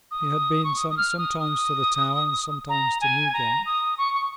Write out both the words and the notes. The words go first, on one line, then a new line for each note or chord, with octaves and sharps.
He had been sent sometimes to the Tower, and sometimes to Newgate.
D#6
C#6
D#6
D#6
F6
D#6
D#6
A#5
G#5
A#5
D#6
C#6
C#6